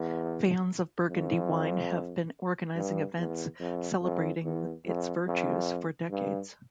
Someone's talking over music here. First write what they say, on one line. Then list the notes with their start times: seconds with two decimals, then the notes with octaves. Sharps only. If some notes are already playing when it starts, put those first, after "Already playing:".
Fans of Burgundy wine have been organizing events celebrating its virtues for decades.
Already playing: E2
1.08 F2
2.75 G2
3.17 E2
3.59 F2
4.01 F2
4.43 E2
4.85 F2
5.26 F2
6.10 G2